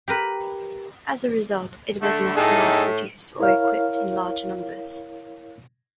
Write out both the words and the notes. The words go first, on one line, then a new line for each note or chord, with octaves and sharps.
As a result, it was not mass produced or equipped in large numbers.
G4 A#4 B4
D3 A3
A2 D#4 G#4 A4
E4 A#4 C#5 F5 F6